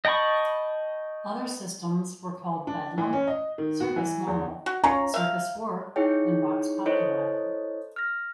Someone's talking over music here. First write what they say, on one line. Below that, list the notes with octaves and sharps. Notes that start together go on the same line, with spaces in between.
Other systems were called Bedlam, Circus Normal, Circus Warp and Vox Populi.
D#5 G5 A5 B5 C#6
D4
E3
C#4
D#5
D#3
F#4
E3
E2
F#4
C#4 F4 C#5 A#5
E5 F5
D#4 E4 G#4 C#5 G5
E4 A4 C5 C#5 D#5
F6 A#6